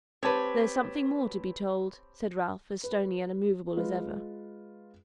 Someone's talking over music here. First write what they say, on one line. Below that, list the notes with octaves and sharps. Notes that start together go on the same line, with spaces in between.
'There's something more to be told,' said Ralph, as stony and immovable as ever.
C4 G4 B4 C#5 A5
B4
G#3 F4 B4